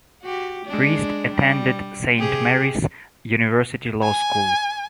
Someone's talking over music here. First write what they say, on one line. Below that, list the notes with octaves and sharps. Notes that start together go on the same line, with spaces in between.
Priest attended Saint Mary's University Law School.
F#4 G4
G#3 D4
G3
C3 G4 G#4
G#5